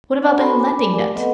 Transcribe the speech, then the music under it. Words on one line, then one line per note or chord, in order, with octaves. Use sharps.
"What about a landing net?"
C4 D4 D5 F#5 A#5 C#6
F#4 A4 B5 C6
D5 G#5 B5 D6
A3 G4 A#4 D5 D6
B3 C4 A4 B4 D#5 F#5